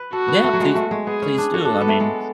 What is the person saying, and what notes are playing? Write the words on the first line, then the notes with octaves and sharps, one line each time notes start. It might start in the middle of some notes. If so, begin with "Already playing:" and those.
Yeah, please please do. I mean
Already playing: B4
F#4 A4
B3
A3
F#3
G#3
A3
G#3
B3 G#4
C#4
D4
F#4 A4
D4
B3
A3
G#3